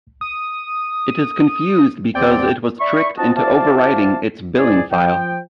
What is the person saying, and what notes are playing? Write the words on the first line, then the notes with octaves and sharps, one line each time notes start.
It is confused because it was tricked into overwriting its billing file.
D#6
E2 C4 D5 G5
D5 E5 B5 C#6
C4 D#4 F4 F#4 D#5 A5
E4 F#4 C5 D5 F5 A5
C#2 G#2 E4 G#4 D5
F3 G5